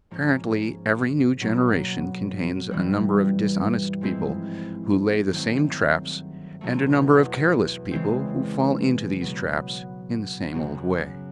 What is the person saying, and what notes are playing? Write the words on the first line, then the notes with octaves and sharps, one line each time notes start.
Apparently, every new generation contains a number of dishonest people who lay the same traps, and a number of careless people who fall into these traps in the same old way.
G#2 F3 A#3 C#4
B2 F#3 A#3
G2 E3 G3
G#2 F3 G#3 C4 E4
G2 D#3 F#3 A3 C4
E2 B2 F#3 A3
C#3 E3 G#3 C4
B2 F#3 B3
F#2 C#3 F#3 B3